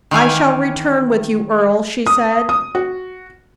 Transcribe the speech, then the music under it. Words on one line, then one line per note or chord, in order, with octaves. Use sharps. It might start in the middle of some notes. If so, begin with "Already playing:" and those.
"I shall return with you, Earle," she said.
D#3 E3 F5 G#5
D#6
D#6
F#4